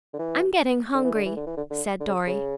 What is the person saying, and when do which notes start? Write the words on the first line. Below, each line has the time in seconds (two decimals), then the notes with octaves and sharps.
"I'm getting hungry," said Dorry.
0.14 D3
0.19 E3
0.94 D3
1.04 E3
1.15 D3
1.25 E3
1.36 D3
1.46 E3
1.57 D3
1.70 D3
2.00 D3
2.07 C#3
2.27 C#3